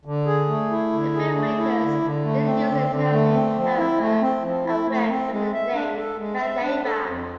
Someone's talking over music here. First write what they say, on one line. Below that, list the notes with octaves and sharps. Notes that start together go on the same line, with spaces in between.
The filmmakers didn't use the town name however, and went with the name Canaima.
D3
G#4
A3
E4
D3
G#4
A3
E4
D3
D3
A3
C4
D3
D3
A3
C4
F3
E4
A3
C4
F3
E4
A3
C4
G#3
E5
D4
A4
G#3
E5
D4
A4
F2